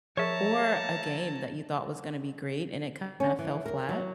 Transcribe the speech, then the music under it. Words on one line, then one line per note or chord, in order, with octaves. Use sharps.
or a game that you thought was gonna be great and it kinda fell flat?
F3 G#4 A#4 C#5 E5 A5 A#5
C#4
E3
A#4
F#3